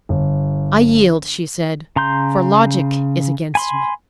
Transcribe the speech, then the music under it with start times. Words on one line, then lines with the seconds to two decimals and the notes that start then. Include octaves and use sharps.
"I yield," she said, "for logic is against me."
0.09 G1
1.96 C#3 A#5 C6 G6
3.55 G#5 B5 C6